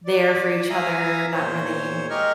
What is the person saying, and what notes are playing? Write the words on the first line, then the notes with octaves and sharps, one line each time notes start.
there for each other, not really
D5
E5 F5 G#5 A#5 D#6
E2 A#2 C5 C#5
G#3 G4 A#4 D#5 C#6 F6